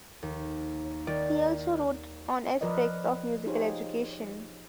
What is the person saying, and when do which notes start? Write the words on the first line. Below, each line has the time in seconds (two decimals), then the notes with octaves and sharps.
He also wrote on aspects of musical education.
0.23 D#2
1.07 D#3 D5
2.61 F3 A#4 B4 D5 D#5
3.46 D#4 F4 G4 G#4 C5 C#5